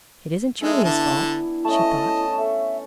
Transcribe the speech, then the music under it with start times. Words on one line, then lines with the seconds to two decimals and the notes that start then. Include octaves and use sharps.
"It isn't Julia's fault," she thought.
0.61 E3 G#3 B3 D4 A4
0.84 D3 E4 A5
1.11 B4
1.65 A3 C#4 D#5 A5
2.38 A4 E5